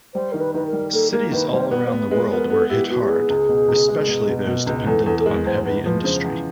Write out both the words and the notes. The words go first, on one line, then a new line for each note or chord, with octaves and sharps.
Cities all around the world were hit hard, especially those dependent on heavy industry.
G3 C5
D#3 A#4
B4
D#3 B4
A#4
G3
A#3 A4
A#3 A#4
D#3 B4
G3 C5
B3 B4
C5
B3 B4
G#3 B4
B3 A#4
B3 A4
E4 G4
B3 F#4
G4
B3 G#4
C#2
B2
C#2
G#3
B2
B2
B2
C#2
E2 A4
E2 A4
A4
G#3 A#4
E2 C5
E2 B4
F3 B4
C#3 C5
E2